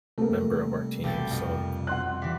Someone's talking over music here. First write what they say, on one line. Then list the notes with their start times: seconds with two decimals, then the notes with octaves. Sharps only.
member of our team, so,
0.18 C3 G3 A3 A#3 C4
1.04 B1 G5 A6
1.31 F2
1.87 F#5 C6 F#6
2.22 E3 G3 F5 B6